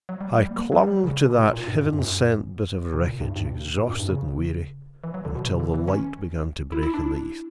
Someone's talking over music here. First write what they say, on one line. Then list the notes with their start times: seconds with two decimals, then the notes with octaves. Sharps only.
I clung to that heaven-sent bit of wreckage, exhausted and weary, until the light began to break in the east.
0.09 F#3
0.21 G3
0.30 F#3
0.41 G3
0.51 A#3
0.72 F#3
0.83 G3
1.04 C#3
1.25 B2
1.53 A#2
1.67 G2
1.77 F#2
1.88 F#2
1.99 F#2
2.93 A#2
3.01 C#3
3.07 B2
3.21 G2
3.36 G2
3.46 B2
3.56 D3
3.77 A#2
3.88 F#2
3.99 G2
4.09 C#3
5.04 E3
5.14 F#3
5.25 D3
5.35 B2
5.46 B2
5.60 D3
5.74 E3
5.88 C#4
6.72 E4
6.83 E4
6.94 D4
7.03 E4